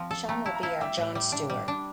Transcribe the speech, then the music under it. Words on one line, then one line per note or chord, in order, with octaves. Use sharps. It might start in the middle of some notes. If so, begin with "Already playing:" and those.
Sean will be our Jon Stewart.
Already playing: F3 C4
A4
A3 G5 A#5
E4 F5 A5
A#5
E4 F5 A5
G3 E5 G5
A2
G3
D4
G3
D4